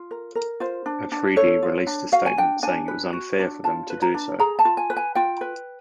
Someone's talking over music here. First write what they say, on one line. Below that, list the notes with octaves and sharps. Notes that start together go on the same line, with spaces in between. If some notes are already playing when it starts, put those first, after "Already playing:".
Afridi released a statement saying it was unfair for them to do so.
Already playing: F4
A#4
A#4
F4 C5
D4
D4
A4 C#5
F4
D4
F#4 F5
G#5
D4 G5
D4 G#5
B4
F#4
D4
F4 A5
B4
A#5
D4
G#4 A#5
A5
F4
G#5
B4
G#5
F4 G5
B4